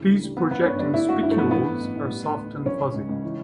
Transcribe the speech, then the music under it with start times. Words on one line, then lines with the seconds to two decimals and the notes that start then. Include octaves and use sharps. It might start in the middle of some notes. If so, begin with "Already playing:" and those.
These projecting spicules are soft and fuzzy.
Already playing: C#3 E3
0.09 D2
0.23 G3
0.37 E3 B3
0.51 F#2 B3
0.61 D4
0.66 G1 C#4
0.79 G3 D4
0.94 D3 E4
1.09 G2 F#4
1.23 G1 E4
1.31 A3
1.37 F#3 B3
1.51 E3 B3
1.66 A2
1.80 A1
1.95 A1
2.09 G3
2.23 D3
2.37 D2
2.52 D2
2.66 F#3 C#4
2.80 C#3
2.94 C#2
3.09 C#2
3.23 E3